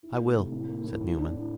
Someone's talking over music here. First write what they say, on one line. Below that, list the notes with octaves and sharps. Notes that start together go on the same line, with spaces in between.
'I will,' said Newman.
E4
A3
C3
A2
A#3
A2
A2
D4
A2